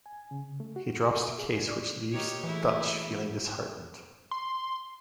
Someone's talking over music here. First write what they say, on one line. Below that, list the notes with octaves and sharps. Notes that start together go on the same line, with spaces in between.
He drops the case which leaves Dutch feeling disheartened.
G#5
C#3
A3
F#4
A4
E5
G#4
D5
D#3 G4 C#5
E3 A3 A#3 E4 F#4 G#4
C6